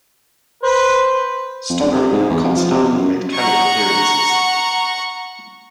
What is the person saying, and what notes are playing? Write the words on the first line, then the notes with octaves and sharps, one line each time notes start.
Stollery and Considine made cameo appearances.
B4 C5
F2
F1
C3
G#2
E2
F2
F3
C3
B2
F#2
F#5 A#5 C#6